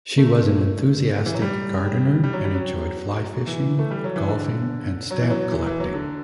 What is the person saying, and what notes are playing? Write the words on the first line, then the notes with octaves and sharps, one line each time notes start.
She was an enthusiastic gardener, and enjoyed fly-fishing, golfing, and stamp collecting.
A3
E3
F#3
G3
G3
F#3
G3
F#3
E3
A3
G3
F#3
E3
D3
F#3
E3
F#3
E3
E3
F#3
D3